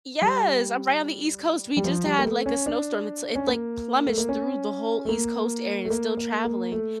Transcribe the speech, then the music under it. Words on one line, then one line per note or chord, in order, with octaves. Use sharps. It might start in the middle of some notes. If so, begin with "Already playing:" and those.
Yes, I'm right on the East Coast, we just had, like, a snowstorm, it's it, like, plumaged through the whole East Coast area and it's still traveling,
G3
G3
F3
G3
A#3
A3
C#4
D4
C#4
A#3
A3
A#3
C#4
A3
A#3
A3
A#3
A#3
A#3
A3